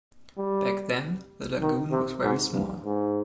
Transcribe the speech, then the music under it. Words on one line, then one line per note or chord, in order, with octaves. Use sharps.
Back then, the lagoon was very small.
G3
D#3
C3
G#2
G2
G#2